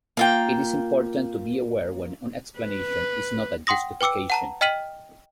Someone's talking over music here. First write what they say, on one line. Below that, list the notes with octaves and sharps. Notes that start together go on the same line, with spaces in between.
It is important to be aware when an explanation is "not" a justification.
A#3 F4 G5
B4
F#5 G5 C6 D#6 A#6
B4 G5 D6 E6 C#7
F#5 A5 A#5
D#5 G5 F6 B6 D#7 F#7